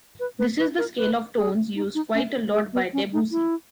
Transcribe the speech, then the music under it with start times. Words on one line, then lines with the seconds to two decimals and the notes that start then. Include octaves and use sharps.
This is the scale of tones used quite a lot by Debussy.
0.20 B4
0.39 B4
0.59 B4
0.78 A#4
0.97 B4
1.37 G#4
1.75 D#4
1.95 D#4
2.14 C#4
2.54 G#4
2.73 B3
2.93 C#4
3.13 D#4
3.31 E4